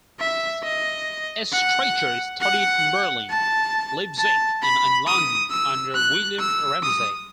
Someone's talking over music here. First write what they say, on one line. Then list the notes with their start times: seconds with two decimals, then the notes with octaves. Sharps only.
Estreicher studied in Berlin, Leipzig, and in London under William Ramsay.
0.20 E5
0.64 D#5
1.53 F#5
2.41 F#5
3.30 A5
4.18 A5
4.62 B5
5.07 D#6
5.50 E6
5.94 F#6
6.40 E6
6.83 D#6